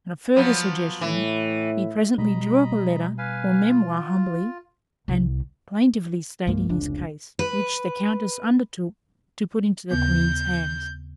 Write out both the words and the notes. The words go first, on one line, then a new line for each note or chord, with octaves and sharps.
On a further suggestion, he presently drew up a letter or memoir humbly and plaintively stating his case, which the countess undertook to put into the Queen's hands.
F3 F#3 B3
A2 E3
B2 G3 D#5 A#5 B5
B4 F5 G#5
F4
C2
C2 G2 G#3 A#3
F1 C#2 D4
B4
D#2 C#3 B3 G6